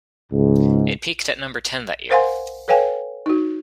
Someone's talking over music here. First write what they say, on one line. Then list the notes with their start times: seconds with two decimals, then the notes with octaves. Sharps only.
It peaked at number ten that year.
0.32 C#2 G#2
2.10 A#4 C5 F5 F#5 G#5 C6
2.68 A4 B4 C#5 F5 G5 G#5
3.26 D#4 F#4